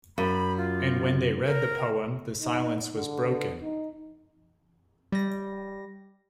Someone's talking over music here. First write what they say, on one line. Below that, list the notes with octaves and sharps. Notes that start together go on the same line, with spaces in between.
And when they read the poem, the silence was broken.
F#2 B5
F4
A#4
D#4
D3
D#4
G3 A#6